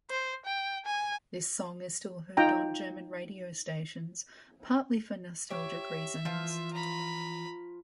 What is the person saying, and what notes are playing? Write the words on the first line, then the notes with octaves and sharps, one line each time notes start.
This song is still heard on German radio stations, partly for nostalgic reasons.
C5
G5
G#5
D#4 F4 G5 A#5
G4 C#5 E5
E3 F3 F4
A#5 B5